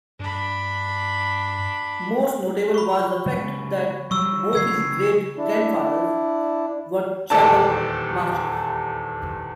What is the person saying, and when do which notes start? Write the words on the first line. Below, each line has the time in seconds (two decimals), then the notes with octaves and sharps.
Most notable was the fact that both his great-grandfathers were Chapel Masters.
0.19 G2 D4 B5
2.74 B5 C#6
3.26 C#3 F#3 G#3
4.11 F#3 G3 C#6 E6
4.53 C#3 F#3 E6 G#6 C7
5.37 D4 E4
7.30 D#1 E2 G4 A4 D5 A5